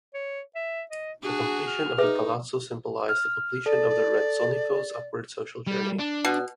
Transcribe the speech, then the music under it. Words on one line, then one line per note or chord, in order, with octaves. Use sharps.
The completion of the palazzo symbolised the completion of the Rezzonico's upward social journey.
C#5
E5
D#5
D4 F#4 G#4
F6
D#4 G#4 B4 E5
F6
A4 D5
G3
D4
B2